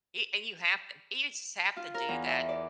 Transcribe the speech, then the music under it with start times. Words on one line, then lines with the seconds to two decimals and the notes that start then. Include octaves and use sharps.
a and you have to you just have to do that
1.77 F4
1.94 A#4
2.09 E2
2.26 E5
2.49 D5